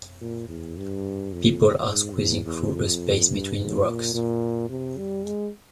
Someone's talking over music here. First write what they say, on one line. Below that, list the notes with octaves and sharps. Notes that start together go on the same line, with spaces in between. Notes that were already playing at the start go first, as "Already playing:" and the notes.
People are squeezing through a space between rocks.
A#2
E2
G2
F2
G#2
E2
E2
F2
G2
G#2
A#2
A#2
C3
G3
G#3